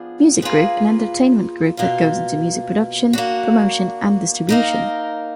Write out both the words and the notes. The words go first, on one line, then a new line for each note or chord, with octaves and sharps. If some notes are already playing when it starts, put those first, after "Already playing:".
Music Group, an entertainment group that goes into music production, promotion and distribution.
Already playing: F3 B3 D4 G#4
A#3 F4 G#4 B4
B2 A#3 F4
A#3 D4 F#4
A#3 D#4 A#4